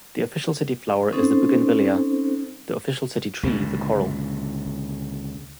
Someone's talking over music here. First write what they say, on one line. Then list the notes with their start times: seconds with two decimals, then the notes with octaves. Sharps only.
The official city flower is the Bougainvillea, the official city tree the Coral.
1.12 C4 C#4 D#4 A4 C5
3.43 C#2 A#2 D3